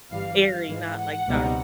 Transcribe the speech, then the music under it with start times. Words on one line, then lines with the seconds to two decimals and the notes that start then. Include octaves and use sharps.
airy, not, like, dark.
0.10 G1 G2 E3 G3 F5
0.39 F5
0.69 G#2 E3 G#3
0.97 F#5
1.27 C#2 B2 G3 C4 D#4